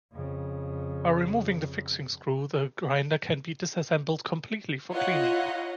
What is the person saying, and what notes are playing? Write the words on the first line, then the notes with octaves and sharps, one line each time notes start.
By removing the fixing screw the grinder can be disassembled completely for cleaning.
F2 C#3
E4 F4 C#5 D#5 F#5 A#5